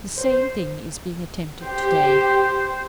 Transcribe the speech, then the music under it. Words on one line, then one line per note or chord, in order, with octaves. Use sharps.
The same thing is being attempted to-day.
C5
G4 C5